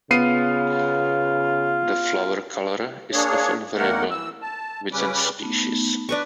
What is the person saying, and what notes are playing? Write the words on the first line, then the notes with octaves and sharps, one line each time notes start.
The flower colour is often variable within species.
C#3 B3 F4 C7 D#7
A#3 D4 G#4 C#5
E2 D#3 A3 A#3 A#4 F#5
E3 E6
A5
C#3 G3 C#4 B4 D6
A3 B3 D#4
D4 B4 C#6